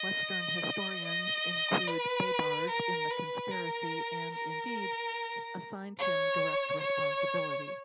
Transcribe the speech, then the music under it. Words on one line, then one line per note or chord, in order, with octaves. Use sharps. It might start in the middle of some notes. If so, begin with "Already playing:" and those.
Western historians include Baibars in the conspiracy and, indeed, assign him direct responsibility.
Already playing: D#5
D#5
B4
A#4
B4
A#4
A#4
C#5
C#5